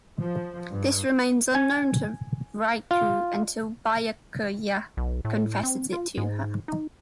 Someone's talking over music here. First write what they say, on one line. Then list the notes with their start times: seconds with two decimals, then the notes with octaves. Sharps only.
This remains unknown to Rukia until Byakuya confesses it to her.
0.20 F3
0.70 G2
1.55 G#5
2.91 F4
4.97 B1
5.25 A2
5.63 C4
5.93 F4
6.17 G#2
6.68 D#4